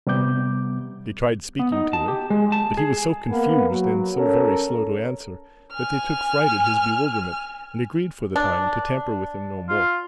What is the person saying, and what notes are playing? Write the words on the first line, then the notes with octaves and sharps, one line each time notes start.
They tried speaking to him; but, he was so confused, and so very slow to answer, that they took fright at his bewilderment, and agreed for the time to tamper with him no more.
C3 G3 B3 D6 G6
B3
D#4
A5
G4
G#3
A5
G#4
A#3 B3 B4
F#3
C#4 A4 A#4
G#5 F6
D4
F4